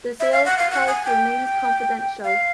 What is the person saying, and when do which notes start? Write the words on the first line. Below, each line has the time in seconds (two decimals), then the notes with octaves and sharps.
The sale price remains confidential.
0.20 E5
0.32 F5
0.46 F#5
0.58 F5
0.71 F#5
0.88 G#5
1.05 G5
2.24 F5